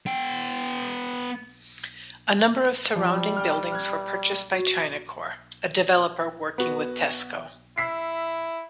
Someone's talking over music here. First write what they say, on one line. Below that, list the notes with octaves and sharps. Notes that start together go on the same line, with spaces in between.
A number of surrounding buildings were purchased by Chinacorp a developer working with Tesco.
B3 G5
F3 G3
G5 F6
F6 F#6 G#6
F#4
B3 F#4
E4 E6 B6 C7